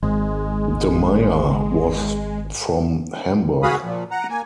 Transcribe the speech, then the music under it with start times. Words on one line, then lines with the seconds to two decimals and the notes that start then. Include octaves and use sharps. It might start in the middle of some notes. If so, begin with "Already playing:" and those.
DeMayer was from Hamburg.
0.02 G#1 G#3
3.63 F#4 G#4 F5 B5 D#6
3.83 A#2 F3
4.11 F#5 A#5
4.30 A#3 G#5